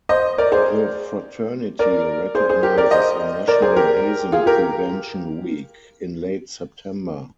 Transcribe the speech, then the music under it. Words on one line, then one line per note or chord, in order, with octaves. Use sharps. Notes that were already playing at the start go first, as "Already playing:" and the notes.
The fraternity recognizes a National Hazing Prevention Week in late September.
C5 D#5
A#4 D5
G#4 C5
A#4 D5
G#4 C5
G#4 C5
G4 A#4
A#4 D5
C5 D#5
A#4 D5
G#4 C5
G4 A#4
F4 G#4
G4 A#4